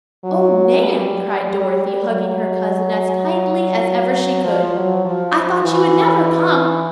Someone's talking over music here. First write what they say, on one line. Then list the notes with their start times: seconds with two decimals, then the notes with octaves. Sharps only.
"Oh, Nan!" cried Dorothy, hugging her cousin as tightly as ever she could, "I thought you would never come!"
0.24 F#3
0.84 G3
1.45 G3
2.05 F#3
4.44 F3
4.75 F#3
5.05 F3
5.35 F3
5.64 E3